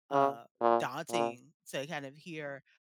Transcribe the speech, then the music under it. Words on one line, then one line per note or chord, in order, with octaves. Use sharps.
uh, daunting to kind of hear
C#3
A#2
A#2